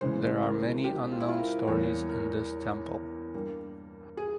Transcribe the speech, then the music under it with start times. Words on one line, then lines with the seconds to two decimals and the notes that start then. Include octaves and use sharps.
There are many unknown stories in this temple.
0.01 C#2 C#3 E3 G#3 C5
0.43 A#4
0.84 G4
1.12 F4
1.20 E4
1.28 F4
1.39 A#4
1.67 E2 E3 G3 A#3 C#5
2.09 A#4
3.34 G2 G3 A#3
4.17 G#4